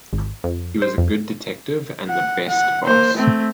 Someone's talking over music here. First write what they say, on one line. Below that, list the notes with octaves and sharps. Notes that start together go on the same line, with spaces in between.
He was a good detective and the best boss.
G#1
F2
C5
F2
F#5
F#5
A#3 C5
A3 C4